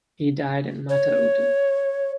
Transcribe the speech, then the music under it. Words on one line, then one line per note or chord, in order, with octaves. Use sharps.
He died in Mata-Utu.
C#5